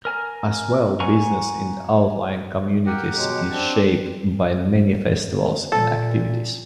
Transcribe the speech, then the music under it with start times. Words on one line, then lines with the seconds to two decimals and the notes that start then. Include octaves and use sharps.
As well, business in the outlying communities is shaped by many festivals and activities.
0.05 A#4 G#5 A#5
1.00 F#5 G#5 A#5 C#6
2.86 G4 A#4 F#5 G5
3.14 B2 F#3 G#3
3.50 C4 D4
5.72 A#2 A4